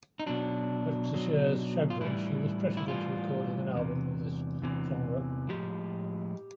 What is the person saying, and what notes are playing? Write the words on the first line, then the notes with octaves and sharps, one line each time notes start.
Much to Cher's chagrin, she was pressured into recording an album of this genre.
D#4
B2 F#3 D4
B2 F#3
F4
A2 E3 G3 E4
E4
A2 E3 G3 F4
E2 C3 E3
E2 C3 E3
A2 F3 G#3 G4